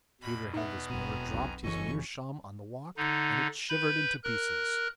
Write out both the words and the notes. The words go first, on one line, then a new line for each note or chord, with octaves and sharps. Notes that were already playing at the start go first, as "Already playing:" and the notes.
Peter Hildesmuller dropped his meerschaum on the walk and it shivered into pieces.
E2 B2 B5
B3 D#4 E5
E1 F2 B2 G#5 A#5
B1
F#1 E3 C#4 A4 D#5 G#5 C#6
D3 D#4
B4 B5 G6
A#4 F#6